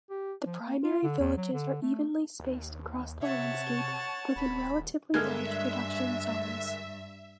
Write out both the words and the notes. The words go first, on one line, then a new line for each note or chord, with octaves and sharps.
The primary villages are evenly spaced across the landscape within relatively large production zones.
G4
F3
A#3
F4
D3
E2
F#3
D3
A3
D#2
C3 C#5 E5 F#5 A5
C#6
D#1 B5
G2 D3 G#3 A#3 A4 E5 F6 G#6